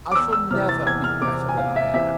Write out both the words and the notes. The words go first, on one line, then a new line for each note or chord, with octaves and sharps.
I shall never be better than I am.
D6
E2 E6
E6
C3 E3 F6
A6
E2 G#6
F6
C3 E3 D6
G#5
E2 F5
E5
C3 E3 E5